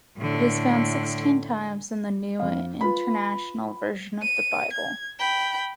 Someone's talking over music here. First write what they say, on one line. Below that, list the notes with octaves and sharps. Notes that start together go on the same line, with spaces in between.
It is found sixteen times in the New International Version of the Bible.
A2 D3
F2 F5
F4 B4 B5
D#7
G#6
G5 B5